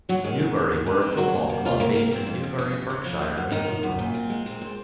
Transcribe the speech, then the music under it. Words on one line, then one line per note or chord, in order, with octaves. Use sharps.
Newbury were a football club based in Newbury, Berkshire, in England.
F#3 G#3 F#4
D#3 G#3 G#4
G#2
D#3
G#2
G#3
C4
C3 F#3 F#4
A#3
C3
C3 F4 F5
C3 A#3 A#4
C3 A#3 A#4
F2 C4
F2
F2
F2 C#4
C#3
C#3
F3
F3
F#2
F#2 D#3 D#4
F3
F#2
A#2
C4
G#3
A#2 C4
A#2